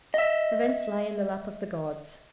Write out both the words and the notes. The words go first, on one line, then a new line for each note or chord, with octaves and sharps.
Events lay in the lap of the gods.
D#5 E5